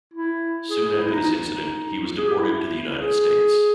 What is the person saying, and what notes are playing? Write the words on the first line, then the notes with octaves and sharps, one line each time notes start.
Soon after this incident, he was deported to the United States.
E4
G#4
G#4
E4
D#4
D#4
G#4
G4
E4
G#4